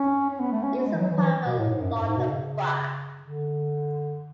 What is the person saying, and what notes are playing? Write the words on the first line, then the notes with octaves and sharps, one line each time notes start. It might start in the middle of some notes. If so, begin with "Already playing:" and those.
It is a part of Lauterbach.
Already playing: C#4
C#4
B3
A3
C#4
B3
G#3
E3
F#3
E3
F#3
E3
B2
A2
G#2
F#2
G#2
F#2
G#2
B2
C#3
D3